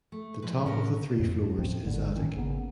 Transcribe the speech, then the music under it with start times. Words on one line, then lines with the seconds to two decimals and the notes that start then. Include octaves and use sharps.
The top of the three floors is attic.
0.12 A3
0.42 F3 C4 B4
0.66 A2 C#4 D4 A#4
1.19 F2
1.59 D#2 A2 F3 C4
1.85 G#1 D3 G3 A#3
2.15 A2 D#3 C#4
2.35 G#1 C#3 A#3 B3